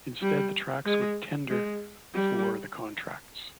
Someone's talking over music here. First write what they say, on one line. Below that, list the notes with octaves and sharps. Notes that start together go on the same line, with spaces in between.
Instead the tracks would tender for the contracts.
G3
G#3
G#3
G3